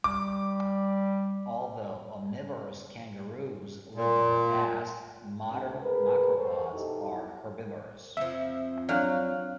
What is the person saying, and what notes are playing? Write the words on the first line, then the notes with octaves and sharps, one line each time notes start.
Although omnivorous kangaroos lived in the past, modern macropods are herbivorous.
G3 D6
A#2
D2 C3
G#4 A#4 B4
A4 A#4 C5 C#5
B2 D#4 E4 G4 A4
F2 F3 E5
F#3 D4 C#5 D5 F5 F6 F#6